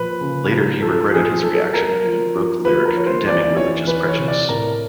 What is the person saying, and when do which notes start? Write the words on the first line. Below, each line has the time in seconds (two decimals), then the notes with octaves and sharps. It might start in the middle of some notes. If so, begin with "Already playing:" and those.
Later he regretted his reaction, and wrote the lyric condemning religious prejudice.
Already playing: A#2 F3 B4
0.21 C#3
0.52 F#3
0.81 F3 A4
1.13 F3 G#4
1.43 F#3 A4
1.73 F#3 A#4
2.04 F3
2.35 F3
2.65 F3 B4
2.86 A#4
2.96 F3 C#5
3.06 C5
3.27 E3 D5
3.42 D5
3.57 E3 C#5
3.87 E3 B4
4.09 C#5
4.18 C3
4.28 D5
4.49 A2 A#4